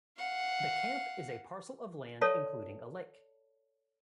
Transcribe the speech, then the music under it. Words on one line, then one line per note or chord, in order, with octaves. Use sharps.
The camp is a parcel of land including a lake.
F5 F#5
A4 C#5 D5 E5 A5